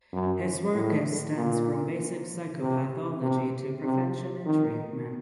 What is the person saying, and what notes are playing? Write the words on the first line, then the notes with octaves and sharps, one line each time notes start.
His work extends from basic psychopathology to prevention and treatment.
F#2
A2
A#2
C3
C3
C3
D#3